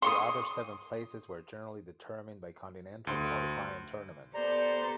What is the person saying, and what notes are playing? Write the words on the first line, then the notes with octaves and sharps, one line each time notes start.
The other seven places were generally determined by continental qualifying tournaments.
C6 C#6 D#6
D2 C6
B3 G4 A4 C5 D5 A#5